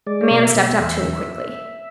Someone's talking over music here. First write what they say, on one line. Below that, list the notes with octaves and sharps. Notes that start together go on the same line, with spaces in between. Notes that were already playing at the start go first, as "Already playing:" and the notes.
A man stepped up to him quickly.
G#3 D5
C#5
B2 D5
E5
B2
E2